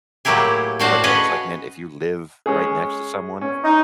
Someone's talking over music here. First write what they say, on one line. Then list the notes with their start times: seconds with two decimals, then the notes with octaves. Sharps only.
But it's like, man, if you live right next to someone
0.25 A2 F#3 A#3 E4 G4 G#4
0.79 A2 D4 F#4 C5 F5 F#5
1.04 C#4 G#4 B4 C#5 D#5 F#5
2.46 G#3 C#4 G#4
3.41 C#4
3.64 D#4